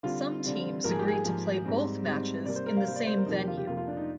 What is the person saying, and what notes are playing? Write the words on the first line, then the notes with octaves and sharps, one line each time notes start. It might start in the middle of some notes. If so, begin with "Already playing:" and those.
Some teams agreed to play both matches in the same venue.
D3 G3 C4 F4
D3 G3 C4
G#2 F3 A#3 A#4
G#4
G4
G#4
G#2 F3 A#3
G#2 G3 C4
G#2 G3 C4
C3 G3 A#3 D5
C5
A#4
F5
C3 G3 A#3 C5
D5
C5
A#4
F2 C3 F3 A#3 D#4
G4
F4
G4
F2 C3 F3 A#3 F4
F4
D4
D#4